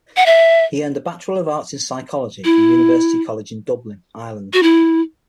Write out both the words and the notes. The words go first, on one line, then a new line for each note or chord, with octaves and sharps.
He earned a Bachelor of Arts in psychology from University College in Dublin, Ireland.
F#5
E5
E4
F#4
E4